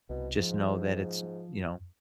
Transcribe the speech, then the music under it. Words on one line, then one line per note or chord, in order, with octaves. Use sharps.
just know that it's," you know,
C2 B2
G#2 F3